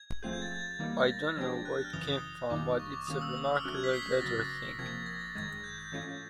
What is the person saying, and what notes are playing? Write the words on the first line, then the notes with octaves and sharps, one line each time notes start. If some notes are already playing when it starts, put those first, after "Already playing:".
I don't know where it came from but it's a remarkable guitar thing.
Already playing: G#6
F3 A3 C4 F4 G#4 G6
G#6
A6
G#6
A6
G#6
E3 G3 A#3 D#4
A#6
A6
F3 G#3 B3 D4 G4 G#6
F#6
G6
F6
F#2 C#3 E3 D#6
D#6
F#2 D#3 G3 A#3 D#4 D6
C#6
D6
D#3 G3 A#3 C#4 D#6
E6
D#6
E6
F6
D3 F#3 A3 C#4 F#6
G#6
B6
C7
B6
A#6
C#3 F#3 B3 A6
C3 F3 A#3 G#6
A#6
A6
F#2 D#3 G#3 G#6
G6
G6
G#2 E3 A3 C#4 F4 G#6